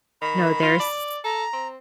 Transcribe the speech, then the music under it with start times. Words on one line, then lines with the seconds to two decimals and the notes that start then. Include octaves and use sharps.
No. There's
0.22 D#3 B5
0.63 F4
0.80 D5
1.24 A4 A#5
1.53 C4